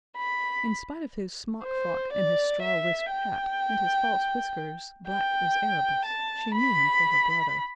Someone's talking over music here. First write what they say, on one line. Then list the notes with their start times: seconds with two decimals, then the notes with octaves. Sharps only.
In spite of his smock-frock and his straw-wisped hat, and his false whiskers, black as Erebus, she knew him for her brother.
0.17 B5
1.64 C5
2.13 D5
2.62 E5
3.11 G5
5.07 G5
6.05 A5
6.54 B5